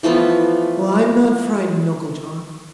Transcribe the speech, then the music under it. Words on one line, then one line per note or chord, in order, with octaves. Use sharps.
"I'm not frightened, Uncle John."
E3 F3 A3 B3